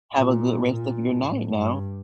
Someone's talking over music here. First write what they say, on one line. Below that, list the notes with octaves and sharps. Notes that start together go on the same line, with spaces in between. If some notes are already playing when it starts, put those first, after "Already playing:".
Have a good rest of your night now.
A#2
A#2
A2
G2